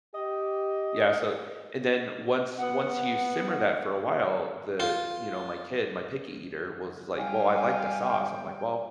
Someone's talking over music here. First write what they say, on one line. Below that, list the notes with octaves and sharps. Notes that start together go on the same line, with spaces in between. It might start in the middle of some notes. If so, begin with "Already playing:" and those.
Yeah, so, and then once once you simmer that for a while, the, you know, my kid, my picky eater was, like, "Well, I like the sauce," I'm, like, "Well,
G4 D#5
B3 F#5
F4
G3 F5 G5 G#5